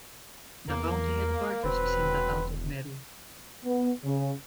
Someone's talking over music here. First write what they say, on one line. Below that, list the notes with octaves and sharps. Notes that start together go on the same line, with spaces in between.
The county headquarters is in the town of Meru.
E2 A#3
E1 F#3 C4 B4
B3
C#3